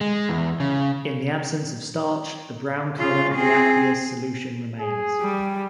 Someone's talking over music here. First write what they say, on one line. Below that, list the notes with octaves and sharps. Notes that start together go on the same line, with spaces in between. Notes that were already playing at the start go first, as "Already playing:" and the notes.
In the absence of starch, the brown colour of the aqueous solution remains.
G#3
E2
C#3
C#3 F4
C4 G#4
G#4
G3